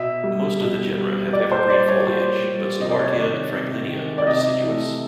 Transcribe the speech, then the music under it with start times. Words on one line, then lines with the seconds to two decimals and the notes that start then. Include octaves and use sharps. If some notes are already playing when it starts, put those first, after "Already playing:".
Most of the genera have evergreen foliage, but "Stewartia" and "Franklinia" are deciduous.
Already playing: B2 E5
0.24 G3
0.60 B2
0.97 G3
1.33 A#2 D5
1.52 C5
1.70 G3 D5
1.88 C#5
2.07 A#2 C5
2.44 G3
2.80 C3 D#5
2.90 D5
3.01 C#5
3.12 D5
3.17 D#3 G#3
3.53 C3
3.90 D#3 G#3
4.18 D5
4.27 C3 D#5
4.64 E3 A3